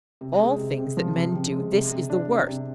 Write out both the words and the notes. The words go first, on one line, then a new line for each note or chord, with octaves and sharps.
Of all things that men do this is the worst.
C3
G#3
C3
C3
F3
C3
C3
G#3
C3
C3
D4
C3
C3